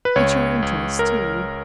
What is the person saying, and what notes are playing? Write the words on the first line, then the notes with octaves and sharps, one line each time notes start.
"It's your interest, too."
B4
C#2 C#5
C#2
A#4